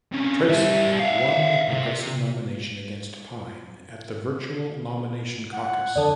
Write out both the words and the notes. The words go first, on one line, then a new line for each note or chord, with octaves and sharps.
Tracy won the Progressive nomination against Pine at the virtual nomination caucus.
C3 C#4
G3 E5
E5 F5
C3
F#5
F2 D3 A4 D5 A5